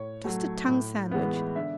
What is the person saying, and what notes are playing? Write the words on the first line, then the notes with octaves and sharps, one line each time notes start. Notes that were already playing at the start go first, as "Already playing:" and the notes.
Just a tongue sandwich.
Already playing: A2 C#5
F#3 A3
A2
E3 G#3 B3
D3 E5